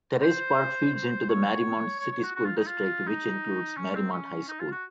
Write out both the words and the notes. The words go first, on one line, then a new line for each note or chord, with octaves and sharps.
Terrace Park feeds into the Mariemont City School District, which includes Mariemont High School.
C5
C5
C#5
C#5
C#5
F#4
F#4
F4
D#4
F4
D#4
C#4
C4
C#4
D#4
F4
F#4